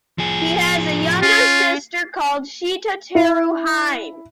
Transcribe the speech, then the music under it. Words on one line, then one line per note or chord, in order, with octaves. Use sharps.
He has a younger sister called Shita-Teru-Hime.
F3 G#4
C#4 F4
E4